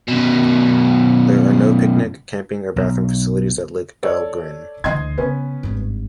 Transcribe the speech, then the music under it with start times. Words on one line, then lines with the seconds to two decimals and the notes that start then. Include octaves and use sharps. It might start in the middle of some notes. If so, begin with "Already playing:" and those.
There are no picnic, camping or bathroom facilities at Lake Dahlgren.
0.08 F#2 B2
2.76 B1
4.03 A4 C#5 D5
4.84 D2 E3 D#5 C6 G#6
5.18 C#3 B3 C#4 B4
5.63 G#1 G2